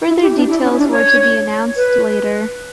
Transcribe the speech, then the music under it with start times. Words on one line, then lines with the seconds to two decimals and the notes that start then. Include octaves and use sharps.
Further details were to be announced later.
0.08 E4
0.22 G4
0.36 D4
0.50 E4
0.64 C#4
0.78 D4
0.92 C#5
1.76 B4